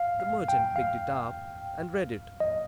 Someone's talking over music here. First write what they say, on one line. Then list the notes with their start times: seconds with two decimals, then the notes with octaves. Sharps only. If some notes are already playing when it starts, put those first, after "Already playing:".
The merchant picked it up and read it.
Already playing: F5
0.20 F5
0.48 G5
0.76 F5
2.40 D#5